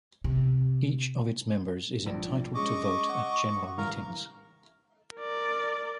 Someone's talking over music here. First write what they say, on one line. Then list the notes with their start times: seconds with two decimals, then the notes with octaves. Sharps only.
Each of its members is entitled to vote at general meetings.
0.24 C3
2.06 A#1
2.55 G#3 C#4 D#5 C#6 D6
3.09 F#5
3.78 A1 A#4 F5 A#5
5.16 A#4 D5